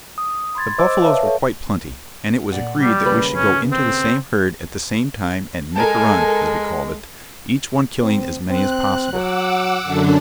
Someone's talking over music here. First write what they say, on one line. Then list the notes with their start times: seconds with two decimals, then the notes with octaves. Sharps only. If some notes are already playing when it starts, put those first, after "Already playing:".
The buffaloes were quite plenty, and it was agreed that we should go into the same herd at the same time and "make a run," as we called it, each one killing as many as possible.
0.18 D#6
0.55 B5 C6 G#6 A6
0.78 C5 D#5 D6 E6
1.02 B4 C#5 E5 F5 A5
1.23 A4 C#5
2.52 A#2 D5 F#5
2.78 G3
3.05 D#2 C#3 B4
3.33 C#4
3.71 C4
5.76 G#3 A4 A#4 G#5 A5
8.02 C4
8.50 C4 F#6
9.13 F#3 F#5 D6 E6
9.82 F#2 D3 D4